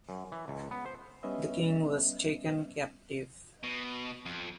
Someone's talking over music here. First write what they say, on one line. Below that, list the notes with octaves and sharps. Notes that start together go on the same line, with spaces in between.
The king was taken captive.
F#2
E3
C#2
B3
C5
G3 B3 C#4 B4 D#5 E5
B2
F2